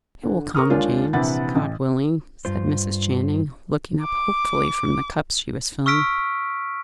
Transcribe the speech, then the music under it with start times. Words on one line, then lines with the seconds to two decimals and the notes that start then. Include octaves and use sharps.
"It will come, James; God willing," said Mrs. Channing, looking up hopefully from the cups she was filling.
0.23 D3
0.55 A#4 C#6 D#6 F6
0.70 D#2 G#3 D4 F4 C#5
1.13 A#1 C3 E3 F#5 B5 A6
1.56 A1
2.45 G2 F4 C5
4.03 D6
5.86 C#6 E6 F6 B6 D7